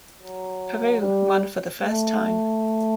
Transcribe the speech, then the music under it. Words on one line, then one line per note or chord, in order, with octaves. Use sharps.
Peru won for the first time.
F#3
G3
A3